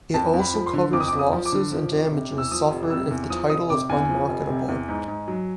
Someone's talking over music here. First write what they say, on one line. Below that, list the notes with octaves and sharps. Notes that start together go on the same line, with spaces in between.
It also covers losses and damages suffered if the title is unmarketable.
F2 A5
F2
B5
F3
C6
D3
F2 D6
D#6
F2 D6
D#6
F3
D6
D3
F3
F1
C3
E2
E6
F3 D#6
F1
C3 E6
E2
F3 D#6
F1 D#6
C3 D6
E2 G#5
F3
F1
C3
E2
G#2
G#2
F#3